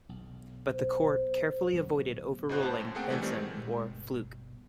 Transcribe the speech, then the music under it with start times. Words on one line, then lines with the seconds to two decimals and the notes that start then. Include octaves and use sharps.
But the Court carefully avoided overruling "Benson" or "Flook".
0.09 B1
0.69 C5
1.73 D1 F#3 B3
2.49 G1 D#4 F#4 C5 F#6
2.62 A2 A5
2.80 F#2
2.95 A3 A#3 C4 G#4 F#5 G5
3.10 E3 F3 G3 A3 E4
3.22 D#3 G3 A3 C4
3.54 A#2 G#3
3.83 G1 B2